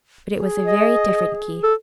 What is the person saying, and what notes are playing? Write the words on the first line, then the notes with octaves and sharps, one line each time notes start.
But it was a very different Keith.
G#4
D#5
A4